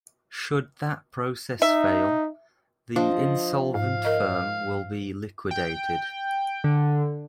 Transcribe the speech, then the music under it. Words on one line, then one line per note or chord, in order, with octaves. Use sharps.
Should that process fail, the insolvent firm will be liquidated.
D#4 E5
F3 D4 D#5
G#2 F5
A#4 D#5
G5
D3